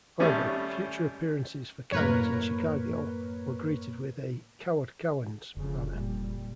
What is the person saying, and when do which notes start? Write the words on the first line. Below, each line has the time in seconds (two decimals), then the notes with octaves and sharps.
However, future appearances for Cowens in Chicago were greeted with a "Coward Cowens" banner.
0.20 G#1 G3 A3 C#4 G#4
1.92 F#2 A2 A#3 A#4 B4 C#5
5.57 F1 D2 C#3 F3
5.91 A#2 G3